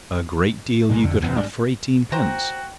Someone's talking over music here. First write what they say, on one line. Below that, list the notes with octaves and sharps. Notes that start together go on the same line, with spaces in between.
A great deal you could have for eighteenpence!
B1 A#2 G#3
F1 F2 D3
F1 E2 B3 C4
G#1 G3 G#3 D4
F#4 C5 G5 A#5